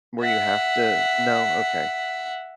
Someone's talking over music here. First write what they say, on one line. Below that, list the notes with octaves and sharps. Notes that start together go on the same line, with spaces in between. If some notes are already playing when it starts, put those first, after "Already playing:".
Where you have to No? Okay.
E5 F#5